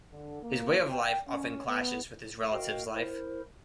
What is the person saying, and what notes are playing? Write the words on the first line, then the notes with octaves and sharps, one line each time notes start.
His way of life often clashes with his relatives' life.
D3
A#3
G5
C#4
B3
F#4 A#4 D#5 F5 G5
E4 A#4 C5